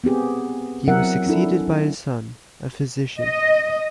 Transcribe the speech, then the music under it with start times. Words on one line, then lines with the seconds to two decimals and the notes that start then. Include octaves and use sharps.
He was succeeded by his son, a physician.
0.04 B3 C4 G4 G#4
0.88 F#3 C4 E4 A#4 E5 F#5
1.26 C#4 D4 E4 A4
3.20 D#5